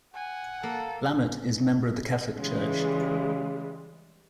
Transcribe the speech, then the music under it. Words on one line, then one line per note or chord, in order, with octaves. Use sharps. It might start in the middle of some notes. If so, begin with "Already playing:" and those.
Lammert is member of the Catholic Church.
F#5 G#5
A#3 A4
C#3 E3 G3 G#3